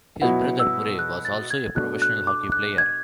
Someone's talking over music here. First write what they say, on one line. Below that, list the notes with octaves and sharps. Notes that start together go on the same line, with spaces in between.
His brother Murray was also a professional hockey player.
B2 F#3 B3 E4 F#5
E6
F#6
A6
G#6
B2 A3 D4 F#4 F#6
F#6
D6
F#6
G#6